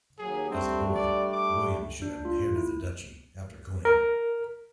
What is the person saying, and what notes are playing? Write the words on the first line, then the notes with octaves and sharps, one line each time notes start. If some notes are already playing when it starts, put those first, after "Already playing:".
As a boy, William should have inherited the duchy after Conan.
D#2 F#3 G#4
G3 A3 C4 D4
D5
D6
D4
F4
E4
A#4